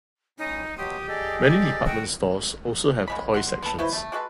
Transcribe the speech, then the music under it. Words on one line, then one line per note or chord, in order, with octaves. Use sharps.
Many department stores also have toy sections.
A2 C#4 D#4
B2 F#3 G4 C6 D#6
G#4 A4 D5 D#5
D5
F#4 G5
C#3 G#3 B5
F#5 C6
B3 A4
E4 F#4 B4 C5
A3
G#3 F#4 A4 B4